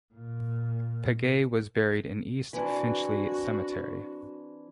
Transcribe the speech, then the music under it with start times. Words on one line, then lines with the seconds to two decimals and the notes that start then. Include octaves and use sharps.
Paget was buried in East Finchley Cemetery.
0.14 A#2
2.53 E3 C4 D4 F#4